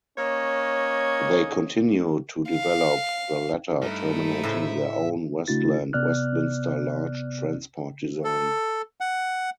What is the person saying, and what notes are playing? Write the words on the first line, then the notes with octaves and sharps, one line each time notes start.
They continued to develop the latter, terminating their own Westland Westminster large transport design.
A#3 C#4 C#5 D#5
F5
G2 A3 D#4 E4
A2 C#3 C5 E5
C#3 A3 D4 E4 F#4 A6
C3 B3 D5 F6 F#6
A4
F#5